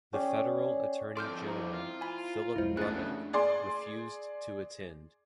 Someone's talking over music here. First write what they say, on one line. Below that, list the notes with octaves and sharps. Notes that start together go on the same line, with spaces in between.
The federal attorney general, Philip Ruddock, refused to attend.
C#4 G#4 D5 G5
F2 A4 D5 C6 F6 G6
E4 C5 A#5
F4
G#5 B5
B1 F2 G#3 E4 C5
C#3 A3 B3 D4 F#6 A6
G#4 D5 C6